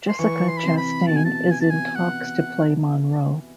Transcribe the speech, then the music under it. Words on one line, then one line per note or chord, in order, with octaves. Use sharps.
Jessica Chastain is in talks to play Monroe.
C6
E3 C#6
C6
B5
C3 C6
B5
B2 A5
G#5
A5
G#5
A5
G#5
F#5